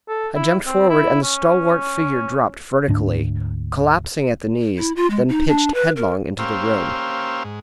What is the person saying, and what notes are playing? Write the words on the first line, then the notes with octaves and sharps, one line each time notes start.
I jumped forward, and the stalwart figure dropped vertically--collapsing at the knees, then pitched headlong into the room.
A4
E4
C4
E4
C#4
D2 G#2 D4
E4
F4
G#3
D#4
D4
B4
A#4
A#3 C#4 G4 C5 F5 E6
G#2